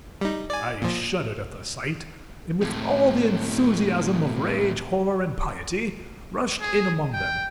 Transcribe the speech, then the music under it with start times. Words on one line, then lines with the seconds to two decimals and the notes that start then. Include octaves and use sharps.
I shuddered at the sight, and with all the enthusiasm of rage, horror, and piety, rushed in among them.
0.21 G3 D#4
0.50 D5 G#5
0.82 A#2 F3
2.61 A2 C3
6.61 G#4
7.13 G5